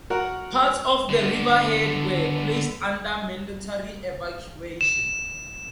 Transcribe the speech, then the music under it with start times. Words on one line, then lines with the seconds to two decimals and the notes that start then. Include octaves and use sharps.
Parts of Riverhead were placed under mandatory evacuation.
0.10 F#4 A#4 F#5
1.10 D3 B3
4.81 E7